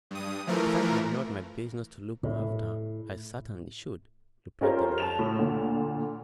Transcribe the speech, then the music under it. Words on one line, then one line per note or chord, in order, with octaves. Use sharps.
"If I had not my business to look after I certainly should," replied the lawyer.
G2 D#6
E3 F3 A3 A#4
A2
C#4 F4 G4 A4 A#4 C5
A5 E7 F7
A2
D2 A#2